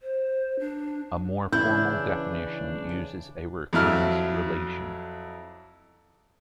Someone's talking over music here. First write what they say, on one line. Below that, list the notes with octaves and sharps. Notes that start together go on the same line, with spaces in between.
A more formal definition uses a recurrence relation.
C5
D4
C#3 E3 D4 E4 G6
F2 F#3 E4 F6